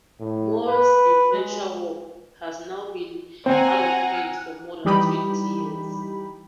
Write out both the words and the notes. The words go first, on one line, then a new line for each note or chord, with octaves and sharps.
Moore's influential work has now been out-of-print for more than twenty years.
A2
B4
G#3
C4 F#5 G#5 A#5
E3 G3 D#4 G4 B5